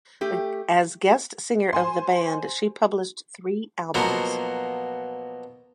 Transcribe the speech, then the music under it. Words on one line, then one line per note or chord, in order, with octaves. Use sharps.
As guest singer of the band she published three albums.
A3 G4
C5 G#5 C6
B2 F3 F#3 A#3 B3